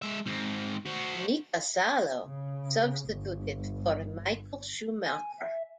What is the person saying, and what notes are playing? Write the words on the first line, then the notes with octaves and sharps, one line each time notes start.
Mika Salo substituted for Michael Schumacher.
G#3 E5
G#2 C4
F#4 C5
C#3
G1
G#5
E5